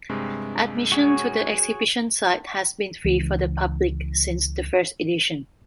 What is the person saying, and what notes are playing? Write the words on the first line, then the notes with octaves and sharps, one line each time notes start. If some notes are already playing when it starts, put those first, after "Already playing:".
Admission to the exhibition site has been free for the public since the first edition.
G2 C3 G#3
F#4 G#4 C#5
C#2 E3